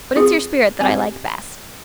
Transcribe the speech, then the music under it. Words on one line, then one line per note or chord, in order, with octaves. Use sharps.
But it's your spirit that I like best.
C4 F4 G#4
C4 G4 G#5